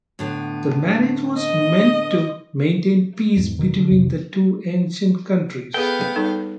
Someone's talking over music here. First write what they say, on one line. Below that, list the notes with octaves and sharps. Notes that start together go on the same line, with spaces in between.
The marriage was meant to maintain peace between the two ancient countries.
A2 D3 B3
D#5
E2 G#2
E1 B2 D#3
D3
B1 F2 C3
B3 G#4 A4 F5 G5
G3 D#4 A4